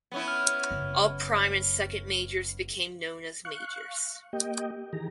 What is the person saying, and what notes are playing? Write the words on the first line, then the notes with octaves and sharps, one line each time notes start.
All prime and second majors became known as majors.
B3 C#4 E4
F6
F#1 F#2
F5 C#6 F#6
A#3 G4 D#5 G5
D#3 E3 G4 G#4 A#5